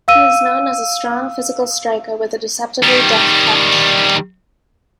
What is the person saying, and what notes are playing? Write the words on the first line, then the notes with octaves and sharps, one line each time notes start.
He is known as a strong, physical striker with a deceptively deft touch.
F5 E6 D#7
D#3 G3